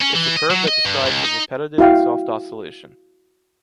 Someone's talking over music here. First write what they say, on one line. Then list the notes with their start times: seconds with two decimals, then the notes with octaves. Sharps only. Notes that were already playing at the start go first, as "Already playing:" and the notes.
It’s a curve that describes a repetitive and soft oscillation.
0.02 C#4
0.16 E3
0.37 D#5
0.51 F#3
0.68 D#5
0.85 G2
1.05 C#2
1.24 D#4
1.78 E4 F#4 F5 G5